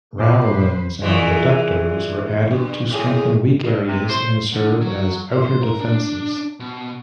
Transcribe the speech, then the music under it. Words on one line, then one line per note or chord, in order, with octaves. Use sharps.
Ravelins and "reductos" were added to strengthen weak areas and serve as outer defenses.
A#2 B4 C5 G#5 D6
A#2 E3 G#3
G2
A2 G#4
G2
C3
C5
D3
F#3
C5
A#4
D4
B2